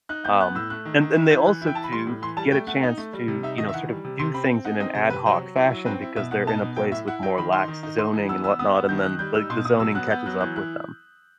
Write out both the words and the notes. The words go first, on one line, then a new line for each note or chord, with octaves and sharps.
Um. And and they also, too, get a chance to, you know, sort of do things in an ad hoc fashion because they're in a place with more lax zoning and whatnot, and then, like, the zoning catches up with them.
D#4 F#6
B3 G6
B3 F#6
A2 E6
A3 F#6
D#3
D#3
E4
E3 G6
E3 F#6
E4
G5
E3 A5
B5
G3 C6
A2
E3 C6
G3 A5
A3 G5
A3 F#5
D#4
A3
G3
C3
D#4 E5
D#3 D#5
E5
E3 F#5
G3
C3
C3 C6
C4 B5
C4
D#4 F#5
C4 D#5
C3 C5
C3 B4
F#3 C5
F#3
E4
F#3
C4 B4
E4
B2 E5
B2 F#5
D#4 A5
B2
F#3 G5
A2 E5
E4 F#5
F#3 G5
D#3 B5
D#4 C6
D#3
D#4
D#4 C6
E3
B3 E6
B3 E6
B3 D#6
B3
D#3 G6
D#3 F#6
G3 G6
D#4 E6
B2 C6
B2 D#6
F#3 E6
B3 F#6
B3 G6
F#3 F#6
E3 F#6
E4 F#6